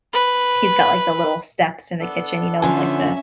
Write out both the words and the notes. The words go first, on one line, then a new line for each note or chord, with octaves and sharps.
he's got, like, the little steps in the kitchen, you know, with, like, the
B4
B3 D4 A4
A2 D3 F3 C#4 E5 G#5